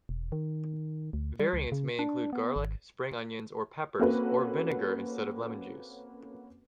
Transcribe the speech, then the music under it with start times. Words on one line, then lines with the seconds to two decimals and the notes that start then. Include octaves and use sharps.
Variants may include garlic, spring onions, or peppers, or vinegar instead of lemon juice.
0.09 E1
0.32 D#3
1.13 D2
1.39 G3
1.53 C#2
1.72 C#3
1.99 D4
2.33 B3
2.56 G#1
4.00 A#3 C4 C#4 F#4 A4 B4